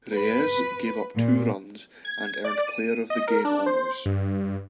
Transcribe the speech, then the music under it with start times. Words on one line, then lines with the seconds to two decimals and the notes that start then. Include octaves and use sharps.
Reyes gave up two runs and earned player of the game honors.
0.12 B4
1.17 A#2
2.05 G#6
2.45 D5
2.67 D#7
3.10 D#5
3.27 A#4
3.45 D4
3.66 C5
4.06 G2